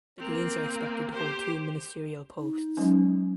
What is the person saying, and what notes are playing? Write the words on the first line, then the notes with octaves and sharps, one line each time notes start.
The Greens are expected to hold two ministerial posts.
A#3 C4
G4 C5
D#4
F#3 G#3 C#4